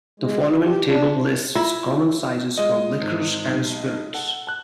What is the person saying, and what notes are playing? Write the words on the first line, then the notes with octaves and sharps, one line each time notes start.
The following table lists common sizes for liquors and spirits.
G#3
E3
G4
D4
C3
E4 F4
G#3 F4 D#5
G#1
B1
A4 F#5
A5 F#6